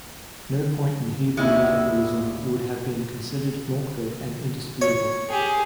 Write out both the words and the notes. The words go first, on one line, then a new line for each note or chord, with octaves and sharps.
No point in Hebrew radicalism would have been considered more clear and indisputable.
D#2 A#2 G#3 E4
C#5
G4 G#4